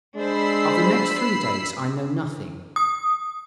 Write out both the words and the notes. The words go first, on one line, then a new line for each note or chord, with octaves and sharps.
Of the next three days I know nothing.
G#3 D4 C5 B5 E6 C7
D#6